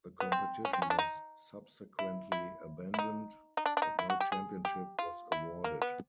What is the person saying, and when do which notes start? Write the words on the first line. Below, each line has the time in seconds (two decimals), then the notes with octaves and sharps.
The competition was subsequently abandoned and no championship was awarded.
0.20 B3
0.32 C4
0.65 C#4
0.73 C4
0.82 C#4
0.90 D4
0.99 D#4
1.99 E4
2.32 E4
2.94 E4
2.99 D#4
3.57 D#4
3.66 D4
3.77 D4
3.82 D#4
3.99 E4
4.10 F#4
4.20 G4
4.32 G#4
4.65 G4
4.99 F4
5.32 E4
5.64 A#3
5.82 B3